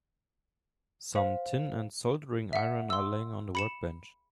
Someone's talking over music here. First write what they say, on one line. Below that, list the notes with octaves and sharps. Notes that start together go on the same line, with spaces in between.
Some tin and a soldering iron are laying on the workbench.
C5 F5
E5 F#5
C6 E6
B5 C#7 E7